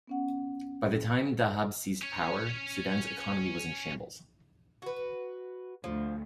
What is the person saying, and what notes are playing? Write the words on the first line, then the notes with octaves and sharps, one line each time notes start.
By the time Dhahab seized power, Sudan's economy was in shambles.
B3 C#4 F#5
C#4 C#5
F#4 B4
D2 F3